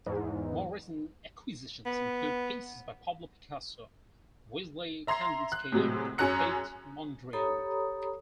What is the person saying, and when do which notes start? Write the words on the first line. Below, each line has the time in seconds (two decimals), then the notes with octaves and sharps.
More recent acquisitions include pieces by Pablo Picasso, Wassily Kandinsky and Piet Mondrian.
0.06 E2 G#2
1.86 B3
5.07 E5 A#5 C6 G#6 C7
5.52 F#6
5.72 A2 C3 F#3 G#3
6.18 F#2 C#4 G#4 A#5 F#6 C#7
7.33 G4 A4 C#5 A#5 B5 D#6